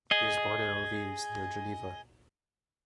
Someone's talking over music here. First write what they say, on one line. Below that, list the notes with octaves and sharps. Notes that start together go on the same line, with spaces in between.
He was born in Eaux-Vives near Geneva.
G#4 D#5